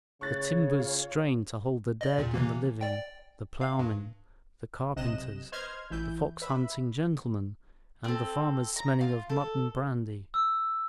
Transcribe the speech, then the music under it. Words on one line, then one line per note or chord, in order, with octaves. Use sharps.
The timbers strain to hold the dead and the living, the ploughmen, the carpenters, the fox-hunting gentlemen and the farmers smelling of mud and brandy.
C#3 C#5 C#6 F#6 A6
F4
D5 D#5
E2 A#2
C3 E3 A#3
D5 G5
F5
G2
B1 C3 D#5 F#6 E7
B4 C5 D#5 C6 F6 G#6
A1 E3 E4 B4 G6
B4 E5 B5
C4 A4
A#5
F4
A4
E6